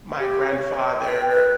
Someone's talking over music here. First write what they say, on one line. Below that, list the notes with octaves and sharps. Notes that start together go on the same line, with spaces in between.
my grandfather
G4
C#5
G5
B4